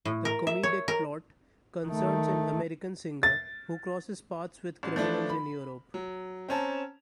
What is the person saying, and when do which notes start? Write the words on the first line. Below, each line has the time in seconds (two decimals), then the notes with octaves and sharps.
The comedic plot concerns an American singer who crosses paths with criminals in Europe.
0.05 A2
0.25 A#4
0.47 E5
0.63 C#5
0.88 A#4
1.86 D#3 A3
3.23 A6
4.83 A1
4.96 F3 A3 D4 B4
5.30 B5
5.94 F#3
6.49 C4 C#4 A5 A#5